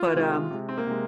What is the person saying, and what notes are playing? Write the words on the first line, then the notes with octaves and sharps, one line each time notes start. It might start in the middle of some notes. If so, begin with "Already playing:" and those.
But, um,
Already playing: F4
C3 D#3 G#3
C3 G#3
C4
A#3
C3 G#3